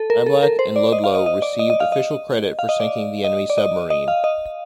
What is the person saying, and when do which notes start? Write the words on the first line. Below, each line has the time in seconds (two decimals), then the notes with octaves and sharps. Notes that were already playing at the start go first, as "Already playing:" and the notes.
"Niblack" and "Ludlow" received official credit for sinking the enemy submarine.
Already playing: A4
0.10 A#4
0.26 A4
0.43 A#4
0.59 C5
0.76 D5
0.92 D#5
1.04 F5
1.15 D#5
1.26 D#5
1.42 D5
1.59 D#5
1.70 D#5
1.80 F5
1.92 D#5
2.59 F5
2.69 D#5
2.80 D5
3.24 D#5
3.50 D5
3.58 D#5
3.90 D#5
4.08 F5
4.24 D#5